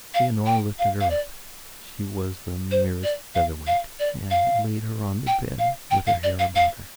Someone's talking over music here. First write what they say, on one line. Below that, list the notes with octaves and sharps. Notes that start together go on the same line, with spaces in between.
Leonora lifted her up--she was the merest featherweight--and laid her on the bed with her hair about her.
F5
G5
F5
F5
D5
C5
D5
F5
F5
D5
F5
G5
F5
G5
F5
D5
F5
F5